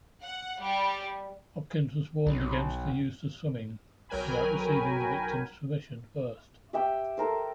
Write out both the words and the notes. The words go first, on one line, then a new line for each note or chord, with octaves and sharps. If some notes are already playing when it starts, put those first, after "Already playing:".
Hopkins was warned against the use of "swimming" without receiving the victim's permission first.
F#5
G3
B1
B1 F#3 A#4 G5 G#5 B5
G4 E5 G5
A4 A#4 C5